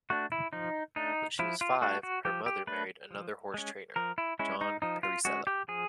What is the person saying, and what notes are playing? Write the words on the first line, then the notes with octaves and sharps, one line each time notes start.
When she was five, her mother married another horse trainer, John Parisella.
A3 D4 F#4
E4
F3 D#4
A3 D4 D#4
F3 E4
F4
A3 D4 F#4
F#4
F3 G4
G4
A3 D4 B4
F3
G#3 C#4
F3 A#4
E4
G#3 C#4 E4
D#4
F3 D#4
F4
G#3 C#4 F#4
G4
F3 G#4